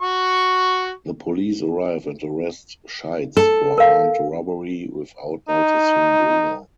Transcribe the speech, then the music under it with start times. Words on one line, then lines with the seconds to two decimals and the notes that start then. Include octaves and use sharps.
The police arrive and arrest Scheitz for armed robbery without noticing Bruno.
0.01 F#4 C#6
3.37 A4
3.78 A#4 F5
5.49 D#4